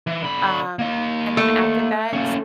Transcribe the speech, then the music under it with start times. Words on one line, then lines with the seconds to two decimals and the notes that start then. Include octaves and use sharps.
Um, and then after that,
0.07 E3
0.22 D3 B5
0.79 A#3 D#5
1.37 A3
2.13 A#3 C#4